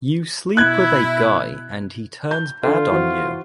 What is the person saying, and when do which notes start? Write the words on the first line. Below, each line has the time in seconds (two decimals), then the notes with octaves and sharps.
You sleep with a guy and he turns bad on you.
0.57 B2 E4 F#6 G#6
2.31 G6
2.63 D3 F4 A4
2.92 E3 F#4 C5